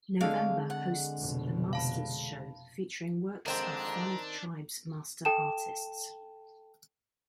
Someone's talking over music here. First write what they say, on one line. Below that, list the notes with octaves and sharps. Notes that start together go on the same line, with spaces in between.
November hosts the Master's Show featuring works of Five Tribes Master Artists.
D3 G#3 C4 G#4 F5 A5
F#5
F1 B2
F5 A5 B5
F2 D3 D#3 G#3 C4 D4 C5 A#5
A4 G5 A5 E7